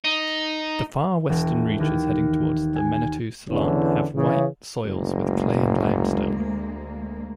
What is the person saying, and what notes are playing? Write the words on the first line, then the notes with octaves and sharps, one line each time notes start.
The far western reaches heading towards Menetou-Salon have "white" soils with clay and limestone.
D#4
E1
D#2
G#5
E2 D3 E3 C#4
C#3 E3
F#1 D2 G#3 A#3